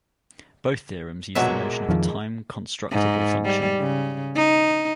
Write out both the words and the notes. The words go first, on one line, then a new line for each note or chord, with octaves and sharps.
Both theorems use the notion of a time-constructible function.
B1 A#2 F#3 G#3 B3 E5
F2 D#3 F3
G#2
G3
C#3
D#4